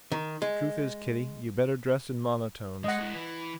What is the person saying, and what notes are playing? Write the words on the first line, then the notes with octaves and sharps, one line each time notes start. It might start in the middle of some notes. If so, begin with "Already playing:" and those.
Truth is, Kitty, you'd better dress in monotones.
D#3
G#3
G#3 D#5 F#5
G#3 E4
E3